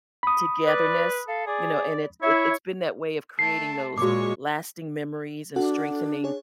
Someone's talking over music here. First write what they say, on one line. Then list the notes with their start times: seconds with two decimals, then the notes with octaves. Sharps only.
togetherness, you know, and it it it's been that way of creating those lasting memories and strengthening,
0.23 B5 D#6
0.66 B4 D5
1.28 A4 F5
1.46 G#4 D5
2.22 E4 C#5 E5
3.39 A3 A4 C7
3.98 A#2 G#3 F#4 C#5 C#6 D6
5.56 D4 F#4 A4 F#5
6.24 G#4 C#5